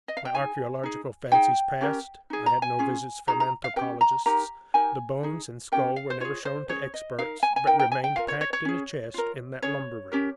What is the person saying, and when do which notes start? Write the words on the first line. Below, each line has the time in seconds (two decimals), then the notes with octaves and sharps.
My archaeological fancies passed; I had no visits from anthropologists; the bones and skull were never shown to experts, but remained packed in a chest in that lumber-room.
0.08 D#5
0.17 F5
0.25 G5
0.34 D#4 G#4 G#5
0.83 D#4 G#4
1.32 D#4 G#4 G5
1.81 C#4 G4 A#4
2.30 D#4 G#4
2.46 A#5
2.62 G#5
2.79 C#4 F4 G#4
3.27 D#4 G#4 A#5
3.40 A#5
3.64 F5
3.76 C#4 G4 A#4 G5
4.01 A#5
4.26 D#4 G4 A#4 A#5
4.74 D#4 G4 A#4 G#5
5.23 D#4 G#4
5.72 C#4 G4 A#4 G5
5.96 F5
6.10 C5
6.20 F4 G#4 C#5
6.45 C5
6.69 C#4 G#4 C#5
6.94 D#5
7.19 D#4 A#4 F5
7.43 G#5
7.56 G#5
7.67 D#4 A#4 G5
7.79 G5
7.92 G#5
8.04 G5
8.16 F4 A#4 F5
8.28 C#5
8.41 C#5
8.53 C#5
8.65 C#4 G#4
9.14 F4 A#4
9.62 C#4 G#4 C#5
10.12 C#4 G4 A#4